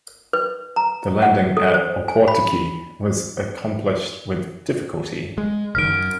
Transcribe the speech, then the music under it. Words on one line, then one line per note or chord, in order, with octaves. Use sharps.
The landing at Opotiki was accomplished with difficulty.
B4
A#5
F#5
A4
C5
G#5
B5
G#3
F#1 D#3 F6 D7
F#2